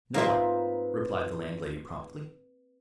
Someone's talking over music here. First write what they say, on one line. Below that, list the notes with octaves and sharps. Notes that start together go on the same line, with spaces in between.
"No one," replied the landlady promptly.
G#2 A#3 C4 F4 B4 E5